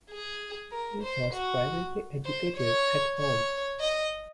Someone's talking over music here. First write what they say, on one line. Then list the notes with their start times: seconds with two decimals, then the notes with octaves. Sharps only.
He was privately educated at home.
0.10 G#4
0.72 A#4
1.03 C5
1.33 F#4
2.25 C5
2.57 C#5
3.18 C#5
3.80 D#5